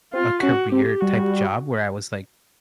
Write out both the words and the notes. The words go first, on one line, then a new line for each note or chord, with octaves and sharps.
a career-type job where I was like,
C4 F4
C#4 F#4
C4 G4
G3 F#4